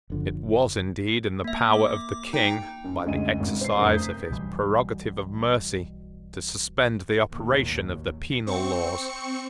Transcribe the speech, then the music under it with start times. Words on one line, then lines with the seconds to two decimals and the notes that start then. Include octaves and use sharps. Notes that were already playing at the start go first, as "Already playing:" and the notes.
It was indeed in the power of the King, by the exercise of his prerogative of mercy, to suspend the operation of the penal laws.
0.10 F#1 D3 F3
1.44 A#3 E5
1.73 D6
2.33 D#4 G5
2.84 F#2
3.05 F#1 D2 G#3 D#5 D#7
3.40 G#1
3.61 C5 C7
3.76 F1 G2 A#4 A#5
3.92 D#6 G6 B6
4.30 B1 B2 E3 G3
7.32 A1 D#2 B2 F#3
8.47 C4 C#6 C#7